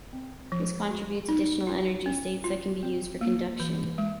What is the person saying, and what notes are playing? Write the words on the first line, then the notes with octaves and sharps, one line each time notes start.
This contributes additional energy states that can be used for conduction.
C4
F3
F#4
D#4
F4
C#4
F4
C4
A#3
E3
G#3